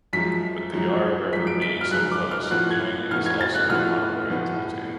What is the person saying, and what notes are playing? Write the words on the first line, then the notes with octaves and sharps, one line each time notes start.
With the Yarra River being so close, canoeing is also a popular activity.
F#2 F3 G#3 B6
F#2 F3 G#3
F#2 F3 G#3 B6
D7
B6
F6
F#2 F3 G#3 F#6
D6
F6
A2 F3 B3 F4 F#6
G#6
A2 F3 B3 F4 F6
G#6
A6
F#6
A2 F3 B3 F4 F6
A2 F3 B3 F4